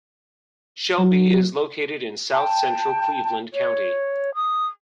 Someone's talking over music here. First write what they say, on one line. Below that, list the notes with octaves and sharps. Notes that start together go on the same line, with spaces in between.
Shelby is located in south-central Cleveland County.
F#3
G5 A5
C#5
D#6